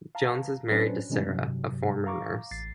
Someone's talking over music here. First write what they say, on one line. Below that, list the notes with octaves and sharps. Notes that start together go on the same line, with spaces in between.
Jones is married to Sara, a former nurse.
F5 A5 A#5
F#3 C#4 D4 B4 C5
B2 D#3 G#3 C4 C#4 D#4
G2 C3 F#3
F5 A#5 C#6 D6
A1 A6 C7